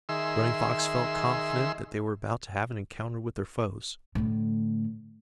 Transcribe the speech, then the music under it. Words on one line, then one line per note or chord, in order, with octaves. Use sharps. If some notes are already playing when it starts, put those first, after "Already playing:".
Running Fox felt confident that they were about to have an encounter with their foes.
D#3 G#4 E5 C6 E6
A2 D3